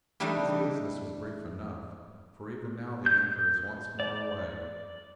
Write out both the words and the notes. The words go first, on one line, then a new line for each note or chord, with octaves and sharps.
His business was brief enough, for even now the anchor is once more away.
E3 G3 A3 D4 D#4
G6
D5